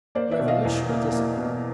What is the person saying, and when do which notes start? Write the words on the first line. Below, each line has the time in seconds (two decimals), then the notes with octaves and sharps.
Revolutionary discipline!
0.15 A#3 C5 D5
0.31 D5 E5
0.39 B2
0.48 D#5 F5
0.65 E2
0.89 A#3
1.12 A#3
1.37 B2